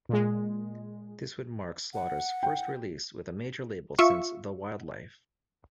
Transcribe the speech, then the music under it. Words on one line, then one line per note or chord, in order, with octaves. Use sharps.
This would mark Slaughter's first release with a major label since "The Wild Life".
A#2 G#3
F#5
G5
F4 E5 C#6